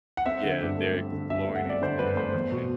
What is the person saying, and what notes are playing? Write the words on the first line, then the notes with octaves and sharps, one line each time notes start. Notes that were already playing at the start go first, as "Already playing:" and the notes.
Yeah, they're exploring into the unknown in
F#5
C4 E5
D3
G2
A3
C4
D3
G2 E5
A3
F#5
C4 D5
D3 C5
G2 B4
A3 C5
E2
B2